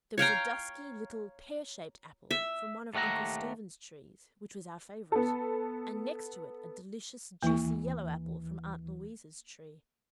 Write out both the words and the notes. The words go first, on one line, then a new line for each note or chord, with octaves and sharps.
There was a dusky, little, pear-shaped apple--from one of Uncle Stephen's trees--which was our favourite; and next to it a delicious, juicy yellow apple from Aunt Louisa's tree.
C#5 F5 G5 A#5
E5
D#2 A3 G4 F#5 A#5
B3 A4
D#2 E3 A#3 E4